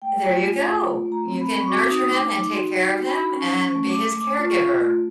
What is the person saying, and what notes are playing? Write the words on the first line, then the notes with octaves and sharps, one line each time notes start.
There you go. You can nurture him and take care of him and be his caregiver.
A3 G5
F4
A3 G#5
F4
A3
A3
A#5
C4
B5
C4
C#6
F#4 D6
D#4 D#6
A3 D6
D#4 D6
F#4 C6
D#4
F#4
B5
D#4
C#4 C#6
C#4
C#6
A3
D6
A3
A3 D6
F4
C#6
F4
A3